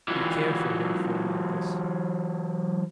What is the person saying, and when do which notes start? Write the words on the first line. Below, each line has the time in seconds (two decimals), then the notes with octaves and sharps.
Be careful, therefore, Malchus.
0.08 E3 F#3